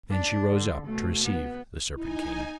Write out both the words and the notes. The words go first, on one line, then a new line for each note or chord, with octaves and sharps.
Then she rose up to receive the Serpent King.
D4
D3
B2 A3
B3
D#4 E4 G#5